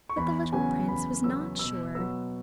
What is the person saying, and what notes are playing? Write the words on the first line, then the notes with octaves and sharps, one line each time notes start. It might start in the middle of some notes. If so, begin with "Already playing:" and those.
But the little prince was not sure.
C#6
E2 B5
C#3 F#3 B3 G#5
E2 B5
C#3 F#3 B3 E6
B2 E6
F#3 B3 E6